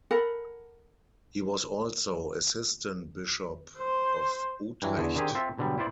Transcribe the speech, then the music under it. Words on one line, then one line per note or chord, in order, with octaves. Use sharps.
He was also assistant bishop of Utrecht.
A4 A#4 F#5 B5
C5
G2 E3 F#3
E2 D3 G#4
D3 D#3 C4 G4 G#4
C4 F4 A4 E5
G#2 B2 D3 F#3 G3
E4 F4 B4 C5 D5